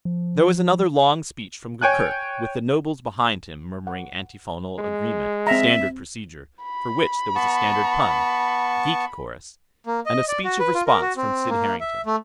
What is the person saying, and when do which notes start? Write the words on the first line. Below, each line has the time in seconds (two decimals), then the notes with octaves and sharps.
There was another long speech from Gurgurk, with the nobles behind him murmuring antiphonal agreement--standard procedure, for which there was a standard pun, geek chorus--and a speech of response from Sid Harrington.
0.05 F3
1.81 C#5 G5 G#5 F#6
3.87 F#5
4.78 G#3
5.47 C4 E5 A#5
6.64 B5
7.35 B3 A5 C#6
9.86 A#3
10.06 D#5
10.28 D5
10.44 F#4
10.60 B4
10.74 F4
10.87 A#4
11.01 F#4
11.16 C4
11.49 A#3
11.80 E5
12.06 A3